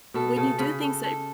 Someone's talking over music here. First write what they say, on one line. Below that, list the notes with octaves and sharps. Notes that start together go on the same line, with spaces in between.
when you do things that
B2 A4
C#3 A4
C#3 B5
A4
A4